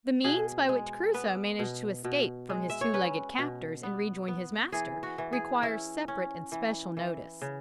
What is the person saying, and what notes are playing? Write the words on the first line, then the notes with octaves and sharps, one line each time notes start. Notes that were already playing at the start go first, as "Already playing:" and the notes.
The means by which Crusoe managed to escape from his two-legged captors, and rejoin his master, requires separate and special notice.
B2 G#4
G#3
B3 B4
B2
B2
G#3
E5
C#5
C#4 B4
B2
B3
B3
E3 G#4
F#4
E3
G#4
C#4 E4
C#4
E3
E3
C#3